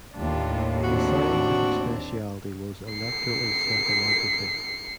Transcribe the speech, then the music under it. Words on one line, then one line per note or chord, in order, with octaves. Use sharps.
His scientific specialty was electroencephalography.
D#2 A2 D4 F4 G4
C4 D4 F#4
C7 C#7